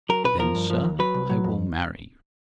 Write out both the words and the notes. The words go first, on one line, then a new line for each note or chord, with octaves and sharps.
"Then, sir, I will marry you."
F#3 A#4
B1 B4
F3 A#4
G2
F3
D#2
F#3 B4
C2
F#3
F2